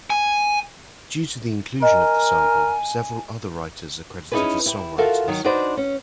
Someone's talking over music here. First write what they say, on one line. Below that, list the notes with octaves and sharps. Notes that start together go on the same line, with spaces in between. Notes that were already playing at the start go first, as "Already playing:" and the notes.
Due to the inclusion of the sample, several other writers are credited as songwriters.
G#5
A#4 D#5 G#5
C#4 D#4 E4 G4 G#4 B4
E4 G4
F4 F#4 A4 A#4 E5 F5
D#3 F#3
D4 D#4 F#4 B4 C5 D5
C#4